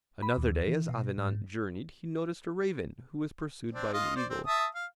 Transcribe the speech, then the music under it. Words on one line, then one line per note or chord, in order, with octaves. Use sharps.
Another day as Avenant journeyed he noticed a raven who was pursued by an eagle.
B5
D#2
E3
B2
G#2
C4 D4
F4 D#5 F5
C5 D5
C4
E5 A5 D#6
F5